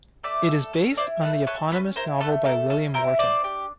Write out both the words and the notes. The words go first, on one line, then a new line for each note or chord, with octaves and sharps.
It is based on the eponymous novel by William Wharton.
A3 D5 E5
A4
C#4
E4 C5 D5
A3 A4 B4
A4 B4 C#5
C#4 A4 B4
E4 A#4 C5
A3 A4 B4
A4 A#4
C#4 A4
E4 A#4 C5
D4 C5 D5
G4